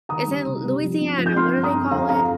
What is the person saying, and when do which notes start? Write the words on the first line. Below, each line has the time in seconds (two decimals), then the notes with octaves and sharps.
it's in Louisiana; what do they call it?
0.09 D#3 A#5 D#6
0.27 G3
0.47 C3
0.64 G3
0.82 F3
1.01 C4
1.18 F3
1.26 G6
1.36 C4 C6 F6
1.55 G2
1.63 A#5 D#6
1.74 C4
1.91 F2 F5 A#5
2.09 F2 F5 A#5